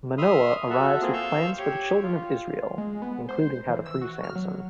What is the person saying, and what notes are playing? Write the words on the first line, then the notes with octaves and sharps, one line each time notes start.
Manoah arrives with plans for the children of Israel, including how to free Samson.
E5 B5 C6 D#6 F6
F#4 A4 E5
A#3 C4 F4 G#4
F5 C#6 E6 G6
G4 C#5
F4
G#3
B3
C5
E3
E6
F#4
F6
F#3